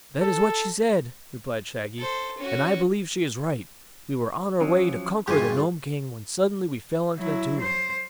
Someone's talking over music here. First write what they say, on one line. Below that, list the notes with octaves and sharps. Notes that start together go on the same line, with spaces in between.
"That is what she said," replied Shaggy, "and I believe she is right. We were on our way to conquer the Nome King when suddenly we fell into the Tube."
A4
A4 C5
C#4 F#4
F3 F#3 C#4
G1 F#2 A#2 G#3 G4 G#5 C7
F#3 E4
C5